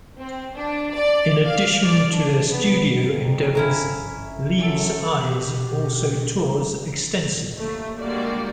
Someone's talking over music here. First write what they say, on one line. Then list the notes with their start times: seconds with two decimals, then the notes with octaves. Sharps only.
In addition to their studio endeavors, Leaves' Eyes also tours extensively.
0.20 C4
0.56 D4
0.94 D5
1.46 F5
1.84 D5
2.14 D4
2.51 B3
3.02 G1 F2 A#3 A#5
3.55 G#1 G2 F3 C#4 E4 A#5
4.58 F#2 A4
5.22 B2 G4
7.56 D#2 A3
7.99 D3 G3 G#3 A#3 F#4 D5